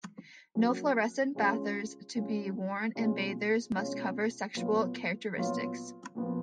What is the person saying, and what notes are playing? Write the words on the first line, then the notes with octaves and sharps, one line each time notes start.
No fluorescent bathers to be worn and bathers must cover sexual characteristics.
F#3 A#3 C#4 F#4
C#3 G#3 C#4 F4
C#3 G#3 C#4 F4
B2 G#3 C#4 F4
B2 G#3 C#4 F4
A#2 F#3 B3 F4
A#2 F#3 B3 F4
A#2 F3 B3 F4